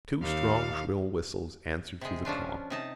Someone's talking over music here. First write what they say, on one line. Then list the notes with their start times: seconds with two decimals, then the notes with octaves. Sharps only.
Two strong shrill whistles answered through the calm.
0.22 D#2 F5
2.01 C3 G#3
2.25 F3 C#4 D4 F4
2.70 C3 D#4 A5